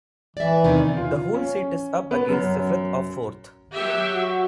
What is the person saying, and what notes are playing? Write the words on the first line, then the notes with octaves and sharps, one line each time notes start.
The whole seat is up against the Firth of Forth.
E3 D5 E5
E2 C3 D#3
F4
C#4
B3
F#2
F#3 G4 E5
F#4